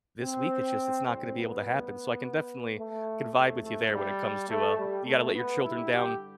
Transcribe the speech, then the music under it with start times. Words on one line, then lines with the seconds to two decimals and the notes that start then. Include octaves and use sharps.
this week, it's just it's not gonna be able to happen." So I can definitely I can vibe with you there when it comes to, uh, you gotta let your children down
0.22 C4
1.07 A1 A2 G3 C4
1.37 B3
2.78 A3
3.35 E2 C3 F3 A3
3.63 A3
3.93 G3
4.49 A3
4.78 G3
5.06 A3
5.35 B3
5.63 G2 D3 G3 E4
5.92 G4